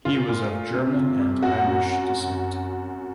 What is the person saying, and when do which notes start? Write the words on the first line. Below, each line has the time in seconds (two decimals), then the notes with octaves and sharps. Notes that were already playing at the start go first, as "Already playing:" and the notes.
He was of German and Irish descent.
0.05 A#2 F4
0.28 A#2
0.51 A3
0.74 C3
0.96 C3
1.20 G3
1.42 F#2 F#4
1.65 F#2